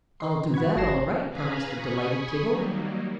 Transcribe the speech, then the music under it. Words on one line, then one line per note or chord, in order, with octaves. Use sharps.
"I'll do that, all right," promised the delighted Tiggle.
B4 D#5 C6
F#5 B5 C#6 G#6
G1 F#4 A5 A#6 C7 E7
B4 F5 G#5 A#5 B5
G#5 B5 C#6 D#6
D#3 F#3 G3 A#3